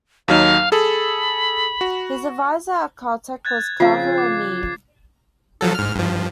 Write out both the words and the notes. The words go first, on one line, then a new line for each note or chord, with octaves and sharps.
His adviser at Caltech was Carver A. Mead.
D#2 F#3 D#4 F5
G#4 A4 B5
F#4
F#6 G#6 A6
C#3 F3 C4 F4 F5 C7
D6
F3 F#3 A4
G#2 F6
G2 F3